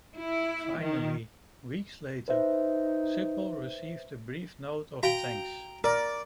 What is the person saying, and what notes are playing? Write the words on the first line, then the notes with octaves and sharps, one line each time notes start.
Finally, weeks later, Sipple received a brief note of thanks.
E4
D#3
D#4 B4 C5 E5
F#4 F5 G5 A#5
A#4 D5